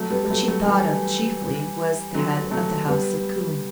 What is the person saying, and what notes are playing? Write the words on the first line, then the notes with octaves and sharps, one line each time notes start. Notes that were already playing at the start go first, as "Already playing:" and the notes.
What she thought of chiefly was the Head of the House of Coombe.
Already playing: F#3 A3
G3 B3
F#3 A3
F#3 A3
E3 G3
D3 F#3
F#3 A3
G3 B3